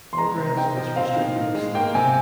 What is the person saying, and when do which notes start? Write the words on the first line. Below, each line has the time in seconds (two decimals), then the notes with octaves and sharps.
Progress was frustratingly slow.
0.13 C6
0.18 G#3 A#5
0.37 C3
0.57 D#4 G5
0.76 F3
0.96 C4 F5
1.16 D#3
1.36 D#3
1.55 G#3
1.75 A#3 G5
1.94 C3 G#5